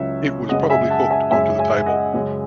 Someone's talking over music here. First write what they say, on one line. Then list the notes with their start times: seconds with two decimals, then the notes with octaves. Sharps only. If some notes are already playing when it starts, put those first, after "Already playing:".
It was probably hooked on to the table.
Already playing: C#2 C#3 F#3 C#5 E5
0.49 F#2 C#3 G#3 D#5 F#5
0.69 E5 G#5
0.90 F#5 A5
1.11 E5 G#5
1.31 F#2 C#3 G#3 E5 G#5
1.59 E5 G#5
1.86 D#5 F#5
2.13 F#2 C#3 G#3